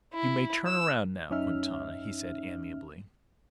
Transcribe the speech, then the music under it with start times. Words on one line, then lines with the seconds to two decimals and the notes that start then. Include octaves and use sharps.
"You may turn around now, Quintana," he said amiably.
0.14 E4
0.66 E6
1.30 F#2 C#4 D#4 E5 F6